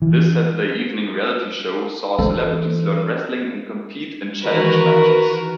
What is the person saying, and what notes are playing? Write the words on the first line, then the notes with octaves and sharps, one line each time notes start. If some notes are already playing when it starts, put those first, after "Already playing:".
This Saturday evening reality show saw celebrities learn wrestling and compete in challenge matches.
E3
E3 A4 C5
D#3 E3 F#4 A#4 B4